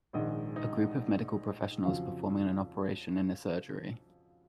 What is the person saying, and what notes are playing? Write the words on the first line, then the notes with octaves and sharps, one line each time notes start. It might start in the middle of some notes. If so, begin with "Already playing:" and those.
A group of medical professionals performing an operation in a surgery.
A#1 G#2 D#3 G#3 D#4 D#5
D#4 D#5
F2 C#3 F#3 F4 F5